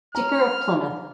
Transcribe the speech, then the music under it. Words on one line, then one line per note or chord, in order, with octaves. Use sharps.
Dicker of Plymouth.
C#5 A#5 F6